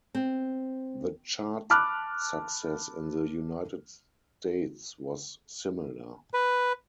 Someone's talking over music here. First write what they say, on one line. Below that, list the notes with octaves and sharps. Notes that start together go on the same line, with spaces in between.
The chart success in the United States was similar.
C4
A5 B5 D6 F6 F#6
B4